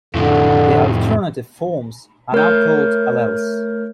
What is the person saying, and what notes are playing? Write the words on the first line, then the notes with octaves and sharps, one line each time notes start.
The alternative "forms" are now called alleles.
F2 A2 D3
A3 A#4 C#5 G6